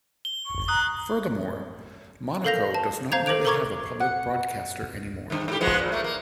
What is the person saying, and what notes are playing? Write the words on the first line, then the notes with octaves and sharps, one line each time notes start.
Furthermore, Monaco does not really have a public broadcaster anymore.
G7
C#6
A#5 D#6 F#6
A4 A#4 F5 G6 A#6 F7
A5
C5 F5 A#5 G6 G#6 F7
A4 C5 D6 D7 F7
A4 A#4 A#5 C#6 D6 G#6
F#5
G2 D#3
G#2 G4
F3 G#3 B3
A#2
A3 A#3
A#3